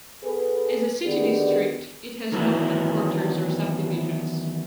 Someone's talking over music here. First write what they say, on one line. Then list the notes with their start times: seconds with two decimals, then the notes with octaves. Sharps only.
As a city district, it has no headquarters or subdivisions.
0.24 B3 G#4 A4 B4
1.05 D3 D#3 B3 G4 G#4 D5
2.32 D#3 E3 F#3 B3 E4